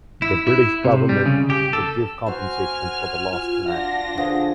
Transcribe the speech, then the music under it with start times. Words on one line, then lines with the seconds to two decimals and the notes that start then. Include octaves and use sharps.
The British government would give compensation for the lost land.
0.22 E4
0.47 E4
0.85 C3
1.09 G3
1.26 C#3
1.50 G4
1.73 A4
2.26 F#4 C5 G#5 F6
3.32 F4
3.69 D4 F4 F#5 A#6
4.17 D3 F3 G#4